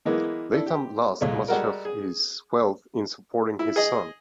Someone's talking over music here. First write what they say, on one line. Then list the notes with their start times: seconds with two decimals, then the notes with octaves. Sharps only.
Latham lost much of his wealth in supporting his son.
0.05 E3 G#3 A#3 B3 E4
0.53 D4 E4 A4
0.66 G4
1.21 C2 A#2 G#3 A3
1.48 G3 G#3 F#4 A4 A#4
1.85 G#4
3.59 E4
3.76 G#4 D#5